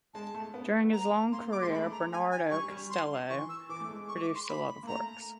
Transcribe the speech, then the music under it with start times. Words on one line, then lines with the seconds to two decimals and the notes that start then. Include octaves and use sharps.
During his long career Bernardo Castello produced a lot of works.
0.14 G#3 A5
0.35 A3
0.54 B3
0.92 A#5
1.32 A#3 C6
1.52 D6
1.62 G#3 C6
1.72 A3 B5
1.92 A#5
2.12 G#5
2.31 G#5
2.51 G3 C#6
2.70 G3
2.90 C6
3.30 E3 C#6
3.49 E6
3.69 E3 D6
3.80 A3
3.89 G#3
4.08 C#6
4.21 D6
4.35 C6
4.48 B5
4.83 A#3
4.87 A3 A#5